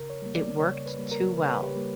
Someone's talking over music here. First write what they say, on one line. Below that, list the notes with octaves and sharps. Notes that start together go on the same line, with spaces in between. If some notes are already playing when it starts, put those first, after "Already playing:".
It worked too well.
Already playing: C#3 A#4
C#5
G3 A#3
D5
C#3 C#5
B4
G3 A#3
A#4
C#3 B4
C#5
B4
G4
G3 A#3